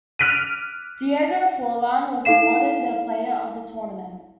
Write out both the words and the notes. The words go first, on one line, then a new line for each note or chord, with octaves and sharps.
Diego Forlan was awarded the Player of The Tournament.
F6 F#6 B6 D7 D#7
D#4 E4 A4 F5 C7 E7